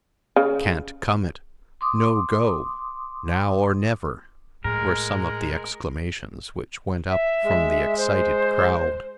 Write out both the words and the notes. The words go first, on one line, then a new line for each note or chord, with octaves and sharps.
"Can't come it!" "No go!" "Now, or never!" were some of the exclamations which went up from the excited crowd.
C#3
C6 D6 D#6
A2 G#3 A#4
E5
G#3
C5